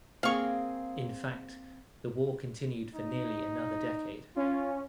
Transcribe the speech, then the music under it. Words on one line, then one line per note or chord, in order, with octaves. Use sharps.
In fact, the war continued for nearly another decade.
A#3 C4 G#4 F5 C#6
D#4
C#4 F4